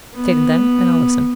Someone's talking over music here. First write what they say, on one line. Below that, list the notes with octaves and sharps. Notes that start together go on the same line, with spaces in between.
"Say them, then, and I'll listen."
B3